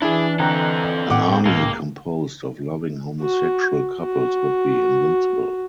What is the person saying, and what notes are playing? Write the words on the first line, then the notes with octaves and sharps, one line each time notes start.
An army composed of loving homosexual couples would be invincible.
E3 D4 E4 G#4
D3 C4 A4 G5 A#5 F#6
A2 F#5 G5 D6
C#2 A#3
F#4
F#4